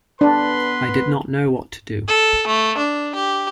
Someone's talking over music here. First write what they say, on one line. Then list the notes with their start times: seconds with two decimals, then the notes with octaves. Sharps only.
I did not know what to do.
0.21 B3 D4 B4 C6
2.08 A4
2.47 A3
2.78 D4
3.15 G4